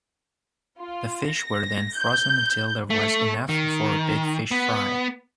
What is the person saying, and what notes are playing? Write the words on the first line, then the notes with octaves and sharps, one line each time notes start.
The fish were then frozen until there was enough for a big fish fry.
F4
A#6
G6
A3
D#3
B3